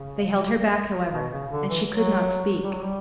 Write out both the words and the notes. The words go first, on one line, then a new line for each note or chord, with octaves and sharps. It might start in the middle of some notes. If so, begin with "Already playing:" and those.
They held her back, however, and she could not speak.
Already playing: C#3
B2
C#3
D3
E3
F#3
G3
F#3
G3